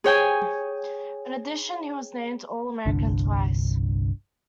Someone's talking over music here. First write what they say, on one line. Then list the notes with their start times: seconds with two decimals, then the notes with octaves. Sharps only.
In addition he was named All-American twice.
0.04 G#4 C#5 G5 G#5
2.86 G1 C2 D3 D4